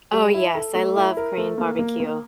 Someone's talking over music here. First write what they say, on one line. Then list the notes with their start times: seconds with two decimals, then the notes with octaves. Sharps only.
Oh, yes, I love Korean barbecue.
0.13 G3
0.34 E4
0.55 A4
0.75 A3
0.96 E4
1.17 A#4
1.38 A3
1.58 A#3
1.79 A#3
2.00 A#3